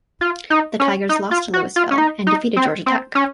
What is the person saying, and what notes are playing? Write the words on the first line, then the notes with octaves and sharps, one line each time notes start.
The Tigers lost to Louisville and defeated Georgia Tech.
F4
D#4
C#4
D#4
F4
F#4
F4
C#4
D#4
D#4
C4
C4
C#4